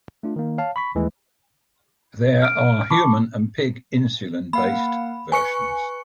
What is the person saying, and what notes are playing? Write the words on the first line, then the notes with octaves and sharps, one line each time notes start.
There are human and pig insulin based versions.
A3 D4 F4
D#3 A#3
C#5 F5 A5
B5 C#6 B6
D#2 E3 G#3 A3
F6 D7
A5 B5 C#6 D6
A#3 F5 F#5 B5
B4 G#5 C#6 C#7